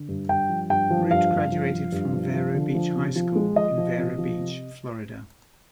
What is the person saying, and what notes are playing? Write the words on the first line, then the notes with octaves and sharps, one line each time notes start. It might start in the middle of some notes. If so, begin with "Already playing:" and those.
Root graduated from Vero Beach High School in Vero Beach, Florida.
Already playing: D3
G2
G2 G5
F3
G2 G5
F3
G2 F5
G2
F3
F3
G2
F3
F3
D3
F3
C3
F3
G#3
F3 D#5
F3
C3
F3
C3